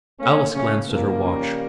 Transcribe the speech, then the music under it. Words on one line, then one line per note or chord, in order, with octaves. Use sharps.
Alice glanced at her watch.
A3 A#3 C#4
C#3 A3 C#4
F3 G3 A#3
C#4